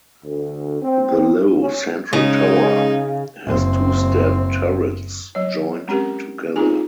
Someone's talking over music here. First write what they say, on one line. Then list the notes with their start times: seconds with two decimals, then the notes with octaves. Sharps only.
The low central tower has two stair turrets joined together.
0.23 D2
0.81 C4
1.60 C#4
2.13 C#3 G#3 C#4 D#4
3.46 F#1 C4
5.35 F#3 C#5
5.88 G#3 C4 C#4 G4 A#4
6.56 C4 D#4 F4 G#4 G#5